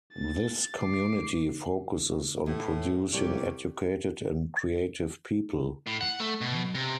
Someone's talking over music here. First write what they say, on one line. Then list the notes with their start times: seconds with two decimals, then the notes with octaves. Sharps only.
This community focuses on producing educated and creative people.
0.14 A6
0.81 D6 C7
2.46 A2 B3
3.13 C2 G3 B3 D#4 G4 C#5 D5
5.87 A2
6.01 F#5
6.20 A3
6.41 B2
6.75 C3